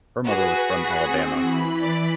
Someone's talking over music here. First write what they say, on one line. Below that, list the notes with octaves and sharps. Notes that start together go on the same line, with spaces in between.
Her mother was from Alabama.
F#4 G#4 B4
F#5 B5
C4
E3 B5
D5